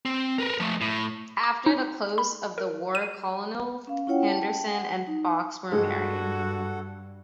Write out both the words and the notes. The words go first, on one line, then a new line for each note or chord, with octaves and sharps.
After the close of the war Colonel Henderson and Fox were married.
C4
A#4 B4
F3 A3
A2
D6
D#4
B5
A#4
D#7
C#4 F5
C#4 E4 F4 C#5 F#5 G5
G5 A5
F#5
D#4
G2 G#3 F#4 A4 F#5